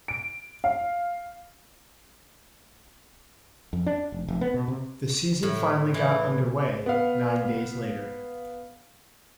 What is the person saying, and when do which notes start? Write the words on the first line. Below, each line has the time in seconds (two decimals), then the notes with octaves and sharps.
The season finally got underway nine days later.
0.08 D7
0.64 F5
3.73 F2
3.86 D4
4.12 F1
4.28 F1
4.41 B3
4.54 B2
4.68 C3
5.43 A2
5.94 E3
6.86 B3 F5